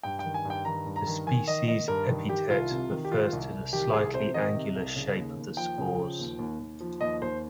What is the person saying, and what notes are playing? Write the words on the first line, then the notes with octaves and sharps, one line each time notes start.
The species epithet refers to the slightly angular shape of the spores.
G2 G5
G5
D#3
G#5
G2
G5
D#3 A#5
G2
A#5
D#3
D#3 G#5
D#3 D#5
D#3 D#5
G2 A#4
D#3
D#3 G4
C2 F4
C3
D#3
G4
D#3 F4
C2
C2
D#3 G4
C2 G#4
C3 C5
D#3 D#5
C3
C2
C#3
D#2
D#2
F3 G5
C#3
F3
D#2
D#2
D#2
F3
D#2 D#5
D#2 C5